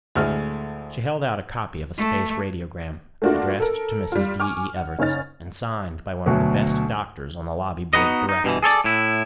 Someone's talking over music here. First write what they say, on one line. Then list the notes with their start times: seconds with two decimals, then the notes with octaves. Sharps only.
She held out a copy of a space radiogram, addressed to Mrs. D. E. Everts, and signed by one of the best doctors on the Lobby Board of Directors.
0.15 D2 A2 G#3 F6
1.97 A3
3.22 A3 A#3 D4 F4 F#4
3.60 A4 A#4
4.12 G3 F4
4.40 G#5 C#6 D6 F6
4.77 F#5
4.99 F#1 C#4 D#4 F6 A6
6.26 D2 B2 F#3
7.93 B3 D#4 F#4 B4 D#5
8.29 D#4
8.44 G2 B2 D#3 E3
8.63 G#4 A4 C#5 D5
8.84 A2 E4